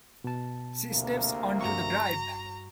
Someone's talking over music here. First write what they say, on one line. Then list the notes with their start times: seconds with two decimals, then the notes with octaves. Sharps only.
She steps on to the drive.
0.24 B2 A5
0.90 D2 C3 A#3
1.61 G2 F#4 A#5 C#6